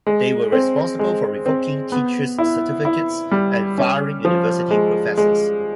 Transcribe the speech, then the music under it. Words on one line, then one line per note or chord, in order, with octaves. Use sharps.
They were responsible for revoking teachers' certificates and firing university professors.
G#3
C4
G#3
C4
B3
E4
E4
G3
C#4
F3
G#3
G#3